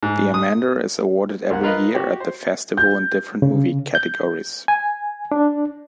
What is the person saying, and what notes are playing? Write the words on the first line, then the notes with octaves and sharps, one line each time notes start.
The Amanda is awarded every year at the festival in different movie categories.
G#2
D#6
C2 A#3 F#5
F4 A#4 B4 D#5 F5
F#4 G4
C5
G6
C#3
G6
G#5
D4